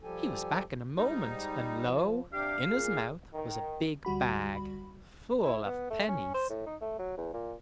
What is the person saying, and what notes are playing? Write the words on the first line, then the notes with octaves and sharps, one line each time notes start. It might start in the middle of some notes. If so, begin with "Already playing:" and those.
He was back in a moment, and lo! in his mouth was a big bag, full of pennies.
F3 G3 G4 A4 G#5
G#2 G3 D#4
F3
C3 D4 G4 F5
A#2 G#4
D#3
D2 G3 F#4 B5
E4
B3
A3
C#4
C5
A2
D#4
A3
F#3
E2
A#2